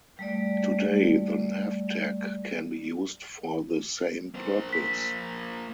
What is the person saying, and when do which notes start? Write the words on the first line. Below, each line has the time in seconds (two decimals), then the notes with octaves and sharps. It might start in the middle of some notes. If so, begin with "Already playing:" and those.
Today the nav tag can be used for the same purpose.
0.19 G3 A3 D5
4.35 A#3 C5
4.73 B6